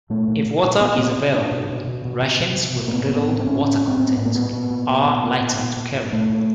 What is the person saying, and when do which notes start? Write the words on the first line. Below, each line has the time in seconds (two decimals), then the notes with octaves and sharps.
If water is available, rations with little water content are lighter to carry.
0.10 A#2 A3
0.28 A#2
0.46 A#2
0.63 A#2
0.81 A#2 B3
0.98 A#2 C4
1.16 A#2
1.33 A#2 D4
1.51 B2
1.69 B2
1.87 B2
2.05 B2
2.22 B2
2.40 B2
2.58 B2
2.76 B2
2.88 A#3
2.93 A2 B3
3.11 A2 B3
3.28 A2 C4
3.40 C4
3.46 A2 C#4
3.64 A2 C#4
3.82 A2
3.87 C4
3.99 A2 C4
4.12 B3
4.17 A2
4.25 A#3
4.35 A#2 B3
4.53 A#2
4.70 A#2
4.89 A#2
5.06 A#2
5.24 A#2
5.41 A#2
5.59 A#2
5.77 A#2
5.95 A#2
6.13 A#2 A3
6.30 A#2